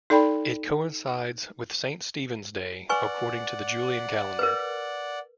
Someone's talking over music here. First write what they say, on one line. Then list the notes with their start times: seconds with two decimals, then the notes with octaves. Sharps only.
It coincides with Saint Stephen's Day according to the Julian calendar.
0.10 D#4 A4 D5 G5 B5
2.89 B4 D5 F#5 G#5 C#6
4.39 A#4 B4